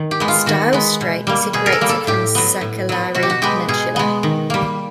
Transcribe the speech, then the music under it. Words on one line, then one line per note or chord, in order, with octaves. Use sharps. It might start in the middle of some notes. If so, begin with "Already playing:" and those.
Styles Strait separates it from Sakellari Peninsula.
Already playing: D#3
G4
G#3 B3
F4
D#3 F#4
G#3 B3
B2
G3 A#3
B2 G#4
A#4
A4
G3 A#3
A4
A2 G4
F#3 B3
A2
F#3 B3
B2 F#4
G4
F#4
G#3 B3 G4
B2 G#4
G#3 B3
D#3
G3 A#3